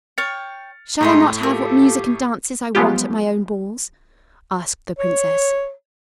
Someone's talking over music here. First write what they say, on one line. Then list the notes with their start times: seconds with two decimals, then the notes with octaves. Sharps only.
"Shall I not have what music and dances I want at my own balls?" asked the princess.
0.18 C#5 G5 F6 A6 C#7
1.01 A2 G#3 A3 D#4 D5 E5 A#5 C6
1.43 F4 G4 A4 A#4
2.75 F3 F#3 G#3 B3 F4 G4
4.99 C#5